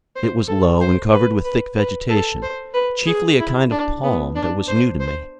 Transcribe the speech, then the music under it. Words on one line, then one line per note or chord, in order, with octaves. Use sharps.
It was low, and covered with thick vegetation,--chiefly a kind of palm, that was new to me.
C5
A4
C5
B4
B4
B4
A4
C5
B4
G#4
E4
D4
B3
D4
C5
C5